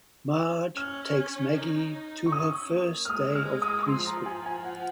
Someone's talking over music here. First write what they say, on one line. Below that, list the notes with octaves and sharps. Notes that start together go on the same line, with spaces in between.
Marge takes Maggie to her first day of preschool.
C#4 F6
D#4
C#6
C#4 D#6
A#3
F6
G#3 D#6
F6
D#6
F3 C6
A#5
G#5
G#5
F#5